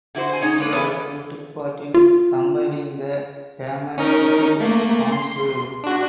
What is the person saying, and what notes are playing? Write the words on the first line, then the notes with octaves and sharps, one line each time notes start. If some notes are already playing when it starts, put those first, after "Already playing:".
He also took part in compiling the famous "Siku Quanshu".
D3 E4 F#4 C5
C5 G#5
C#4 D#4 G#4 C#5
G#3 A#3 B4
E3 B3 A4 B4 D#5
F4
C#4 D#4 A#4
A3 A#3
C6
D4 F#4